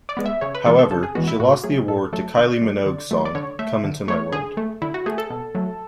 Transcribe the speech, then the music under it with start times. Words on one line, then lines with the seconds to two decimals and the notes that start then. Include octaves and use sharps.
However, she lost the award to Kylie Minogue's song "Come into My World".
0.09 D5
0.17 G#3 B3
0.26 E5
0.41 C#3 C#5
0.55 B4
0.66 E3 G#3 B3 A4
0.78 A4
0.91 C#3 A4
1.03 G#4
1.15 E3 G#3 B3 F#4
1.27 E4
1.39 A2 F#4
1.64 F#3 A3 G#4
1.88 A2 A4
2.13 F#3 A3 A4
2.37 D3 D5
2.61 F#3 A3
2.86 D3
3.11 F#3 A3
3.25 D5
3.35 D3 C#5
3.59 A3 E5
3.84 D3
4.08 A3 C#5
4.32 D3 G#4
4.57 A3
4.82 D3 E4
4.94 F#4
5.06 A3 G#4
5.18 A4
5.30 B2
5.55 F#3 A3